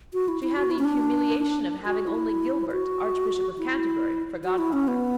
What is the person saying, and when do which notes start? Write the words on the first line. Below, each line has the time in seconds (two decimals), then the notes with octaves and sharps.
She had the humiliation of having only Gilbert, Archbishop of Canterbury, for godfather.
0.13 F#4
0.28 E4
0.43 E4
0.56 F#4
0.71 E4
0.79 C#4
0.85 D4
1.86 F#4
2.07 E4
2.72 F#4
3.58 E4
4.44 F#4
4.58 E4
4.73 C#4
4.88 B3